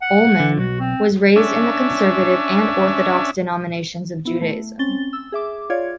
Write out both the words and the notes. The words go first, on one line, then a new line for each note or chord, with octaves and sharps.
Ullman was raised in the Conservative and Orthodox denominations of Judaism.
F#5
D3
B1 F#4
C4
C#4 D4 E5
B3 E4
A3
C4 C#4 A6 G7
E6
G#4 E5 D6
F4 C#5 D5 F5 G#6